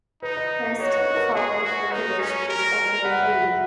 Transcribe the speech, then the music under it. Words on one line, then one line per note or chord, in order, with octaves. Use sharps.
There is still a farm in the village called Ednoe-vean.
D#4 B4
D#5
D#5
F#4 C#5
B4
A#4
G#4
F#4
D#4 B4
C#4
A#4
B4 F#5
E5
F#5